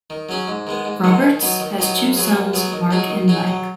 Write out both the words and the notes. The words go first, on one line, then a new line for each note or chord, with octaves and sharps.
Roberts has two sons, Mark and Mike.
D#3
F#3 C#4 G#4
G#2
D#3 G#3 B3
G#2
D#3 G#3 B3
D#3
F#3 B3 D#4
D#3
F#3 B3 D#4
F#2
F#3 B3 G#4
F#2
F#3 B3 G#4
D#3
F#3 D#4 G#4
D#3
F#3 D#4 G#4
F#3